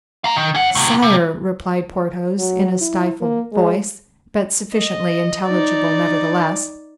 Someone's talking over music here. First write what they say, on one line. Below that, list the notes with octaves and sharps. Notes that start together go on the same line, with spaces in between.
"Sire," replied Porthos, in a stifled voice, but sufficiently intelligible, nevertheless.
F5 A#5
D#3
C#4 F#5
A2 C3
C3
F#3
E4
A#3
G#3
D#5
D#4 D5